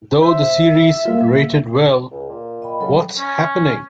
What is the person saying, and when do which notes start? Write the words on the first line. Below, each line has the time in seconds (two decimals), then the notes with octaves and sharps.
Though the series rated well, What's Happening!!
0.23 C5 E5
1.05 G2 A#3 F4
2.11 C#2
2.29 A#2
2.62 D#5 G5 B5
2.80 C#3 F#3 A4 G5
3.18 C#4